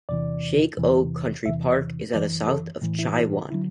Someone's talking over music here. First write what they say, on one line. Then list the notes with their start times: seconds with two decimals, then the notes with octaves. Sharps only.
Shek O Country Park is at the south of Chai Wan.
0.09 E2 C3 E3 D5
0.77 E2 C3 E3
1.45 E2 C3 E3 E5
1.68 D5
2.13 F#2 E3 D5
2.48 A4
2.82 A2 E3
2.99 E4
3.16 E4
3.33 F#4
3.50 D3 F#3 E4